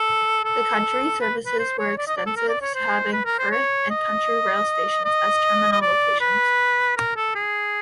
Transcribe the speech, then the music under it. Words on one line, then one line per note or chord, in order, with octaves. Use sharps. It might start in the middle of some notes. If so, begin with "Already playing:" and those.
The country services were extensive having Perth and country rail stations as terminal locations.
Already playing: A4
A4
B4
B4
C5
C#5
D5
D#5
D5
A4
A#4
D5
C#5
C5
B4
A#4
C5
C#5
D#5
D#5
D#5
D5
B4
A#4
A4
G#4